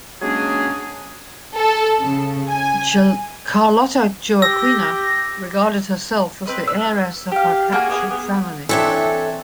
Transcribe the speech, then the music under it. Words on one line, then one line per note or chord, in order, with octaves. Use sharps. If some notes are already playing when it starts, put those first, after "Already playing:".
Carlota Joaquina regarded herself as the heiress of her captured family.
F#3 G#3 A#3 C#4 D4 G#4
A4
C#3
G#5
G4 E6 A#6
C4 B4 D#5
E6 F#6
G4 F5
A#3 F#4 G#4 G#5
A#3 B3 E4 G#4
B3
E3 C4 D4 A4 C#5 E5